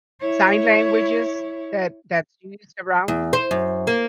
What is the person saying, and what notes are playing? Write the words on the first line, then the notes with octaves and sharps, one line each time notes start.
sign languages that that's used around.
E4 C#5
E2
C5
F#2
A#3